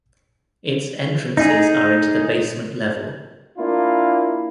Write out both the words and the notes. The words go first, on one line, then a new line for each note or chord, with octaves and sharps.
Its entrances are into the "basement" level.
D#4 G#4
A#3 D4 E4 F4